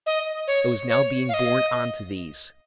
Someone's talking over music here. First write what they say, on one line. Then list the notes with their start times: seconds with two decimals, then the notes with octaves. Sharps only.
I was now being borne on to these.
0.06 D#5
0.48 C#5
0.89 C#5
1.29 F5
1.34 D#5